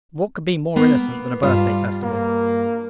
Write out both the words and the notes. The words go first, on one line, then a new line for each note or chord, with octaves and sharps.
What could be more innocent than a birthday festival?
A#3 B3
G2 G3 F4
A#3